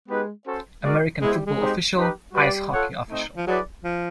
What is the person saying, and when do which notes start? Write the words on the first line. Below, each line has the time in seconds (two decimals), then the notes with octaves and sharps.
American football official, Ice hockey official.
0.08 G#3 B3 D#4 G4 B4
0.46 C#4 F#4 A4 C5
0.84 G#3 F#4 A#4 D5
1.21 G#3 B3 E4 G#4 C5
1.34 G3
1.46 G#3
1.59 C4 D#4 G4 C5
1.97 D#4 G4 B4
2.34 G3 F#4 B4 D5 F#5
2.72 F4 A4 C#5 F#5
3.09 A3 C4 D#4
3.37 F3
3.47 F#3 E4 G#4 B4 D5
3.84 F3